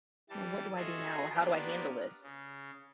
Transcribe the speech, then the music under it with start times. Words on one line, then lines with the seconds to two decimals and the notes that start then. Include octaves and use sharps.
you know, what do I do now? Or, how do I handle this?"
0.30 E3 G3 A5
0.76 F4 F#4 G#4 A4 D#5 E5
1.34 A#3 B3 D4 F4 G4
2.22 C#3